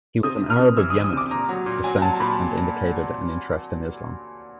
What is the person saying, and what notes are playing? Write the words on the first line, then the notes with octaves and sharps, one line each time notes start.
He was an Arab of Yemeni descent and indicated an interest in Islam.
C3 D#6
C3
F6
C3
E3 E6
D#6
E3
D#6
C3 D6
A#2 A#5
F#3
A#2
F#3 G#5
F#3 A5
A#2 B5